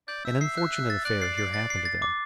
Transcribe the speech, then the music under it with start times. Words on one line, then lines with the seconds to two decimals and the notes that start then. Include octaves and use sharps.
An unfortunate affair here happened to them.
0.08 D5 G6
0.25 E5 E6
0.40 E5 C7
0.57 F#6
0.73 F#6
0.90 A6
1.05 D5 F#6
1.22 C7
1.38 C7
1.54 A6
1.70 C7
1.85 A6
2.02 D6